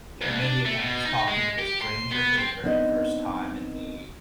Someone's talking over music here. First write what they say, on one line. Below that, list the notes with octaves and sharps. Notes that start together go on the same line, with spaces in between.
you know, maybe if I'm just talking to a stranger for the very first time and they,
C2
D4
A3
B2
D#4
G#3
G4
C6
B3
C4
B3 C4 D4 D#4 D#5